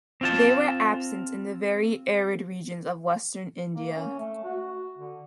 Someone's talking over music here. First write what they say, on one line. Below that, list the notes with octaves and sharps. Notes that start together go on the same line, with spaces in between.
They are absent in the very arid regions of western India.
C4 F4 A5
A#3
C#4
A3
F#4
D3